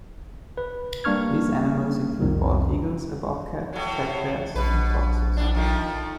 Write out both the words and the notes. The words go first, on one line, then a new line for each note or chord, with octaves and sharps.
These animals include bald eagles, a bobcat, black bears and foxes.
B4
G3 A#3 D4 C#6 F6 G#6
C2 F2 D#3
A2 F#3
A#1 B2 B4
D#2 D4
D#3 F3 A3